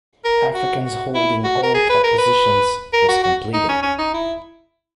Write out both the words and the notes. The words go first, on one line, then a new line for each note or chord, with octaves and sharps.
Africans holding all top positions, was completed.
A#4
F#4
F#4
E4
F#4
A#4
G#4
B4
A#4
B4
A#4
F#4
F#4
D#4
C#4
C#4
D#4
E4